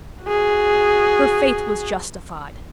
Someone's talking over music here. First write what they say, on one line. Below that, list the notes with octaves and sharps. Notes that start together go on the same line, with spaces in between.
Her faith was justified.
F#4 G#4